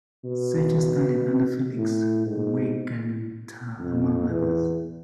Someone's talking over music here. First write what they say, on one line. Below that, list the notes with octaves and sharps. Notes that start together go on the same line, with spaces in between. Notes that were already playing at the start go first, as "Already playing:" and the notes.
Sacher studied under Felix Weingartner, among others.
B2
A2
G#2
F2
E2